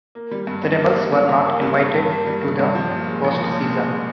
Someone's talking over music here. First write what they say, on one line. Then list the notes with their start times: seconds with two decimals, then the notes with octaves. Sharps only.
The Rebels were not invited to the postseason.
0.15 A#3
0.31 G3
0.47 G2
0.64 G2
0.80 A#3
0.96 G3
1.12 G2
1.29 G2
1.45 A#3
1.62 G3
1.78 G2
1.94 G2
2.10 A#3
2.26 G3
2.43 G2
2.59 G2
2.75 F3
2.91 A#2
3.07 G#3
3.24 A#1
3.40 F3
3.57 A#2
3.72 G#3